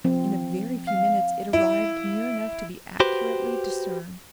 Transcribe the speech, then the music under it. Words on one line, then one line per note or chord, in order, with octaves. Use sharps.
In a very few minutes it arrived near enough to be accurately discerned.
F3 C4
F5
E4
F#4 G4 B4 C5